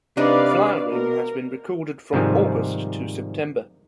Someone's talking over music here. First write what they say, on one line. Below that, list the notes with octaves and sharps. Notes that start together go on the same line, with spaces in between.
Flowering has been recorded from August to September.
C3 D4 D#4 B4 D5 F5
B2 A#4
G#2 C3 D#3 F3 G3 G#3